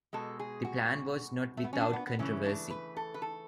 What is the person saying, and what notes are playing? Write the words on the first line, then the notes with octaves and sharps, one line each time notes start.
The plan was not without controversy.
B2 G#3 A4
G#4
F#4
A3
B3
C#4
D4
B3
B3
C#3 E3 A3 C#4
D4
B4
A4
B4
A4